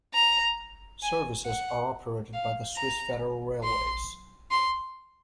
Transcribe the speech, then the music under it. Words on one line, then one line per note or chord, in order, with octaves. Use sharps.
Services are operated by the Swiss Federal Railways.
A#5
G#5
F#5
F5
A#5
C6
C6